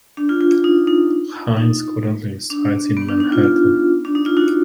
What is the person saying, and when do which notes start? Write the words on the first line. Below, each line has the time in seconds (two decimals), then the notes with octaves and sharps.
Heinz currently resides in Manhattan.
0.17 D4
0.29 F4
0.41 F4
0.52 F4
0.64 D#4
0.87 D#4
1.57 D#4
2.50 D4
2.97 B3
3.08 D4
3.20 D#4
3.32 F4
3.44 F4
4.05 D4
4.15 D#4
4.26 F4
4.37 D#4 F#4